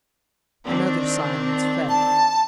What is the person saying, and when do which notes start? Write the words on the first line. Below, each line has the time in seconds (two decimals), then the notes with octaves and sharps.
Another silence fell.
0.66 D#3 C4 D4
1.89 A5